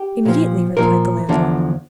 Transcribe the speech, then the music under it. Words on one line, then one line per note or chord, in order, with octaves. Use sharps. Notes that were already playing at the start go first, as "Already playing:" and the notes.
"Immediately," replied the landlord.
Already playing: G4
A#2 F3
A#2 F3 A#4
E2 D3 F3